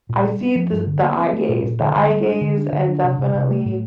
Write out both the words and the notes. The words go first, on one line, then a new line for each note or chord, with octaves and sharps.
I see the s the eye gaze. The eye gaze and definitely
A#2
G3
C4
F3
G2
D3
A#3
C4
A3
A#2
A#2
D3
D3
G3
D4
D3
D4
D3
D4
C3
C3
C3
A3
A2